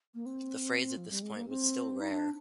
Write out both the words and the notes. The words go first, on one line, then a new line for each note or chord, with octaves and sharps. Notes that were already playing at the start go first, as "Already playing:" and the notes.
The phrase at this point was still rare.
A#3
C4
F3
G3
G#3
A#3
C4
D#4
D4